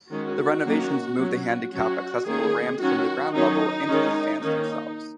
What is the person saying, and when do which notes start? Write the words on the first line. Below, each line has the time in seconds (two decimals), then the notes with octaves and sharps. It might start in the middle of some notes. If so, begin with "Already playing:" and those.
The renovations moved the handicap accessible ramps from ground level into the stands themselves.
0.11 D#3 G#3 C#4 F#4
0.65 D#3 F#3 A#3 C#4
1.19 F#3 C#4
1.72 F#3 C#4 F#4
2.27 D#3 A#3 C#4 G#4
2.80 D#3 F#3 C#4 F#4
3.34 D#3 F#3 C#4 D#4
3.88 D#3 G#3 C#4
4.42 D#3 A#3 C#4 D#4